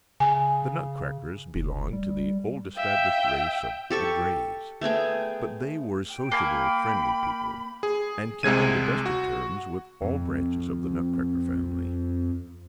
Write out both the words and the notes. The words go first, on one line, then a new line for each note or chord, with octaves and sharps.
The Nutcrackers belonged to the old-established race of the Grays, but they were sociable, friendly people, and kept on the best of terms with all branches of the Nutcracker family.
C#3 G#5
F1
G3
E5 F5 G5
G4 A4 C#6
A3 B3 G#4 G5
G5
A#3 G#5 B5
G#4
C2 C3 G#3 G#6 D#7
F#4
F2 C4